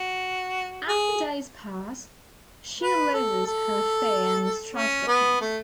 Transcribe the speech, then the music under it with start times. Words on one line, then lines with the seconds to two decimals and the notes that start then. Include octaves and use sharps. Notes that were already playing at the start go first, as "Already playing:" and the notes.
As the days pass, she loses her fear and mistrust of him.
Already playing: F#4
0.88 G#4
2.82 B4
3.14 A4
3.47 A4
4.75 C#4
5.07 B3
5.41 A3